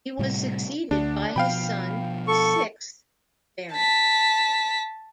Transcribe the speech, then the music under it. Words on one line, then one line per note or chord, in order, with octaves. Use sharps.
He was succeeded by his son, the sixth Baron.
A2 C3 G3
D2 D4
B2 F3 F5 G5 B5
A4 C#6
A5 B6